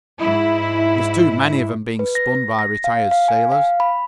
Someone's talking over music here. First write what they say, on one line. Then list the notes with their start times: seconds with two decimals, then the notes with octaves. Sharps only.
There's too many of 'em being spun by retired sailors.
0.21 G#2 E4
1.99 B4
2.15 A#6
2.59 A#6
2.84 F5
3.11 F5
3.28 G#5
3.52 F5
3.80 B5